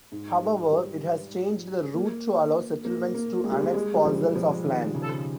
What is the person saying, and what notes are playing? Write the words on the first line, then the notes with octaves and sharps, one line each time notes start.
However, it has changed the route to allow settlements to annex parcels of land.
G#2
G3
G3
A#3
A#3
A#3
G#3
G3
G#3
G#3
G3
F3
F3
D#3
C#3